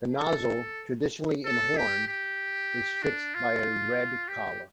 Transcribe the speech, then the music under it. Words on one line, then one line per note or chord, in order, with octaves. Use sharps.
The nozzle, traditionally in horn, is fixed by a red collar.
A4
A4
G4
G4
D4
F4
G4